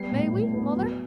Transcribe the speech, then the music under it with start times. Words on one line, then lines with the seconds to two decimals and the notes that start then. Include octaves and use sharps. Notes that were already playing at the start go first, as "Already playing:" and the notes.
"May we, Mother?"
Already playing: G3 B3 C7
0.11 A2
0.33 A2
0.53 B3
0.75 F#3